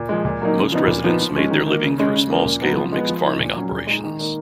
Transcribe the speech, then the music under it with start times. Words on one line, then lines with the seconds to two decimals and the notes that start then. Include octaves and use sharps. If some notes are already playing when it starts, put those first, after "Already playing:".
Most residents made their living through small-scale mixed farming operations.
Already playing: A#2
0.09 F3 G#3
0.25 A#2
0.41 F#3 A#3 D#4
0.56 C#3
0.72 F3 B3 D#4
0.87 A#2
1.04 F3 B3 D#4
1.20 F3
1.35 G#3 C#4
1.51 D#3
1.67 A#3 D#4
1.83 C#3
1.98 G#3 C#4
2.14 C#3
2.30 F3 A#3
2.45 A#2
2.61 F#3 B3 D#4
2.77 F3
2.92 G#3 B3
3.09 F3
3.24 A#3 D#4
3.40 A#2
3.56 F#3 C#4
3.72 A#2
3.87 G#3 D#4
4.04 D#3
4.19 A#3 D#4